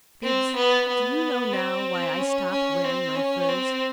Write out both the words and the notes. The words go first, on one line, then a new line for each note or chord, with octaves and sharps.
"Bibbs, do you know now why I stopped wearing my furs?"
C4
B3
B3
C4
C#4
C#4
C4
C#4
C4